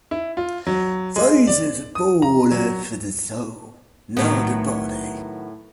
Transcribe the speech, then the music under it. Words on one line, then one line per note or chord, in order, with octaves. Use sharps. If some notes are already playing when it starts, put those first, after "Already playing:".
Faith is born of the soul, not the body.
E4
F4
F#3
G#3
D5
D#6
A#5
F#3
A2 D#3 F#3 B3